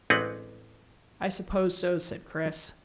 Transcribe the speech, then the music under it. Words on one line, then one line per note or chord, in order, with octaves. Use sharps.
"I suppose so," said Chris.
A1 G#3 C4 D4 B4 F#5